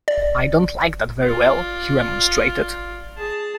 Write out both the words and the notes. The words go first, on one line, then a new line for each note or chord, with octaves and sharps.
"I don't like that very well," he remonstrated.
D5
F4 D5
G#4 A5